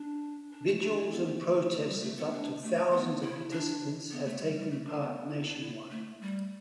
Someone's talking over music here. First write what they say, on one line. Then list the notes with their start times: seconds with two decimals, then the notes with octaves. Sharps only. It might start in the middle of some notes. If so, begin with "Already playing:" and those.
Vigils and protests of up to thousands of participants have taken part nationwide.
Already playing: D4
0.53 D4
0.67 A3
0.82 D4
0.98 E4
1.12 B3
1.27 A3
1.42 A3
1.57 A3
1.73 A3
1.87 G3
2.02 A3
2.18 B3
2.32 D4
2.62 A3
2.91 B3
3.22 E4
3.52 D4
4.12 B3
4.26 A3
4.42 G3
4.56 G3
4.71 A3
4.86 D4
5.01 B3
5.30 E4
5.40 B3
5.45 D4
5.60 E4
5.91 A3
6.21 G3